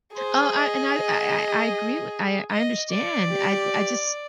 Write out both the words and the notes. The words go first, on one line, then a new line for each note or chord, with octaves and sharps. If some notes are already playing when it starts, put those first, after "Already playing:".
Oh, I and I I I agree with I I understand. I I just
G#4 C5
D#5
D#5
D#5
D5
G4